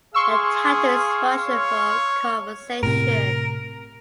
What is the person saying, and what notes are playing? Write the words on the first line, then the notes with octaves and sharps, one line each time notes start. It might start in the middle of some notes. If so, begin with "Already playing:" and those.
The title is Russian for "Conversation".
G#4 F5 C6 C#6 E6
C#5
A2 C3 A#4